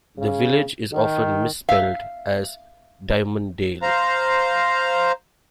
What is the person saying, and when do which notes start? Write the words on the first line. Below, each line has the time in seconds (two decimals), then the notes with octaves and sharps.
The village is often misspelled as Diamondale.
0.18 C#3
0.93 D#3
1.69 E5 F5
3.82 C5 F5 A#5